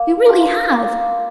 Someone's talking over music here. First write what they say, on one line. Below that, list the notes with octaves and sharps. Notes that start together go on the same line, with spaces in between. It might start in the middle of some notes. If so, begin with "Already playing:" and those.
We really have.
Already playing: A#3
D4 F4
A#3